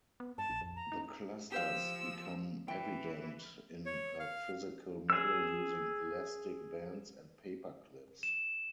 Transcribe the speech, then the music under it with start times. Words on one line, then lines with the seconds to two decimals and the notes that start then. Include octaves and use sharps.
The clusters become evident in a physical model using elastic bands and paper clips.
0.20 B3
0.38 G2 A5
0.49 A#1
0.61 F2
0.76 A#5
0.92 D#4
1.52 F3 G4 C5 F5 E6
2.68 E3 G5
3.86 C#5
4.19 F5
5.10 G#4 E6
8.23 E7